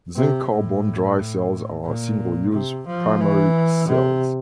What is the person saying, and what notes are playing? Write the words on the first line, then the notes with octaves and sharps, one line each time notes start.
Zinc-carbon dry cells are single-use primary cells.
C3
A2
A#2
C3
F3
E3
C3